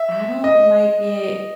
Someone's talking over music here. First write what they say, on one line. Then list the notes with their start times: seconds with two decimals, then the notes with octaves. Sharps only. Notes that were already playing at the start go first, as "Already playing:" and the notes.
I don't like it
Already playing: E5
0.44 D#5